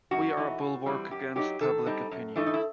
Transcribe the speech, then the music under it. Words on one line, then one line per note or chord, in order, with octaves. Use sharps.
We are a bulwark against public opinion.
F#2 F#4
E3 A3 D#4
A2
E3 G3 C4
F#2 G4
F#3 A3 D#4 G4
D#3 A4
G3 C4 D#4
F#2
E3 A3 D#4
D#4
E4